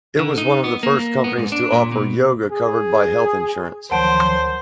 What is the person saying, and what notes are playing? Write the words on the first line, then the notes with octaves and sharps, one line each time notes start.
It was one of the first companies to offer yoga covered by health insurance.
D3
D#4
B3
A#3
B3
G#2
D4
A#2
B2
G#4
D2 D#3 F3 F#3 C5 F#5 A5 D7